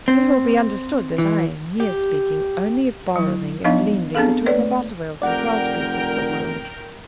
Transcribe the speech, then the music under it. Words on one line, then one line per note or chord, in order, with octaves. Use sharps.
It will be understood that I am here speaking only of borrowing and lending between the Butterwells and Crosbies of the world.
C4
E3
G4
F#3 E4
F3 B3 D4 D#4 D#5 F5
B3 C4 D4 G#4 A4 F5
A3 B4 C#5 D5
F1 A#4 D5 F#5 G5